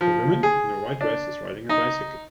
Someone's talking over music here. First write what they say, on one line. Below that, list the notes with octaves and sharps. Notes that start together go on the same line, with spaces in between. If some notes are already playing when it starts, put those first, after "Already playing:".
A woman in a white dress is riding a bicycle.
F3
G#4
D4
D#4